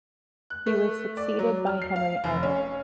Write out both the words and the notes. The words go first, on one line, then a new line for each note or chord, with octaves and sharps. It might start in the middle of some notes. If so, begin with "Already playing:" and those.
He was succeeded by Henry Ivatt.
F#6
A3
D5
F#3
F6
C7
F5
F1
C#4